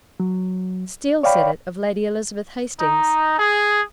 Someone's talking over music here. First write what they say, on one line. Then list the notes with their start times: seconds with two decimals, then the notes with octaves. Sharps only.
'Steele said it of Lady Elizabeth Hastings.'
0.20 F#3
1.23 C#5 D5 F5 G5 B5
2.80 D#4
3.37 G#4